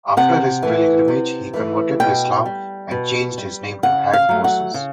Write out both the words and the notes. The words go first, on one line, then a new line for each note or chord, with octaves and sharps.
After his pilgrimage he converted to Islam and changed his name to Hag Moses.
C3 F#5
E3 A3
C3
E3 A3
B2 G5
G3
B2
G3
C#3 F#5
F5
F#3 A3
F#5
C#3